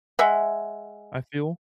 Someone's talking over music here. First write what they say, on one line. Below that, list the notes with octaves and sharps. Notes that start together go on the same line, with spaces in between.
I feel.
G#3 E5 F#5